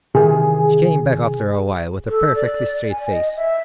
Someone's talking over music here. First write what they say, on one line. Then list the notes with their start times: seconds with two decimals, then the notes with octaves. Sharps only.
She came back after a while, with a perfectly straight face.
0.15 C3 D#3 E3 G#4
2.09 A4
2.35 D5
2.90 G#5
3.10 D#5
3.37 E5